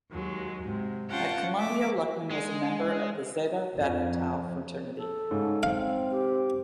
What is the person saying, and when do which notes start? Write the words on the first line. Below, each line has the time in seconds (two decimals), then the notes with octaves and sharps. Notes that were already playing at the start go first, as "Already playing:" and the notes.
At Columbia Luckman was a member of the Zeta Beta Tau fraternity.
0.10 D#2 F#3 G#3
0.62 G#2 C3
1.10 C#4 F4 F#5 G5 A5
1.58 A3 E5 D6
2.30 G#3
3.74 F2
4.97 A4
5.31 G#2 C#3
5.63 C4 F5
6.11 G4